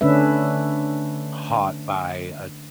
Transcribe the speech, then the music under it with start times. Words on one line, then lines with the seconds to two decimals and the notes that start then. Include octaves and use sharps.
taught by a
0.01 D3 A3 C#4 D4 B4 E5